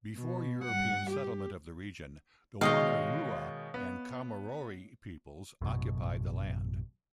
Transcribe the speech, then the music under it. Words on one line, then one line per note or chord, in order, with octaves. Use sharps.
Before European settlement of the region the Wonnarua and Kamilaroi peoples occupied the land.
B2
G2 F#5
G4
B2 D#3 G#3 C#5 D#5 F5
B3
A1 F#2 B2 F#3